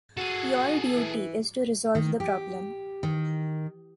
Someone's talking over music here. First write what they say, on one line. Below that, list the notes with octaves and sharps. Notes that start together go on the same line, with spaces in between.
Your duty is to resolve the problem.
F#4 G#4 A4
E3
D#3
G4
D#3